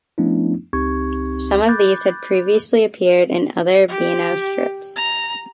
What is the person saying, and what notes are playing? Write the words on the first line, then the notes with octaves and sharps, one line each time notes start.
Some of these had previously appeared in other Beano strips.
F3 A3 B3 C#4 D4 E4
C#2 C4 D#4 G4 C#6 G#6
B5 D6 F#6 G6 A6
G4
A#5